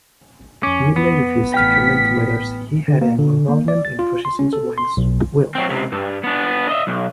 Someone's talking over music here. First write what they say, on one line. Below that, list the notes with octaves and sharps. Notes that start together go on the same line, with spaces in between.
Midgley refused to comment whether he had any involvement in processing Wang's will.
F2 C#4 D6
B3
A1 G5 F6 B6
D3
A#3
D3
A#3
D5
A6
F4
C6
C#4
A4
C6
B1
F#3 C4
C#2 C3
G2
B3 D4
D#5 E5
B1